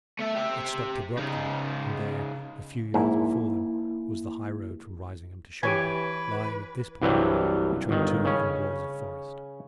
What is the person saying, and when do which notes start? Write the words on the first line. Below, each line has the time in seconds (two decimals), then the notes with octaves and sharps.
It stopped abruptly; and there, a few yards before them, was the high road from Risingham to Shoreby, lying, at this point, between two even walls of forest.
0.19 A3 E5
0.35 G4 E5
1.17 C#3 D#4
2.94 A#1 G#2 A#3 E4
5.63 E3 G4 B4 C#5 G#5 G#6 D7
7.02 C2 G2 E3 F#3 G3
7.89 G1 D#3
8.25 C#3 C#4